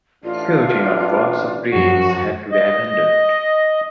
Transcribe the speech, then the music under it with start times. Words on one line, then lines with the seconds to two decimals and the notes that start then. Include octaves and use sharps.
Shooting on "Box of Dreams" had to be abandoned.
0.24 A1 D4 F4
1.73 F#2 F3 F#4
2.52 D#5